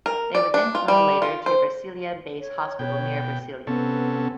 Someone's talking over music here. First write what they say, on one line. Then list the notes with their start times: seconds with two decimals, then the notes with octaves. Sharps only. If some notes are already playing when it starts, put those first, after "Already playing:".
They were then flown later to Brasilia Base Hospital near Brasilia.
0.06 A#4
0.35 D5
0.54 D4
0.75 F4
0.88 G3
1.22 F4
1.46 C5
2.40 C#5
2.79 B2 G5
3.67 C3 B3 C#4 A4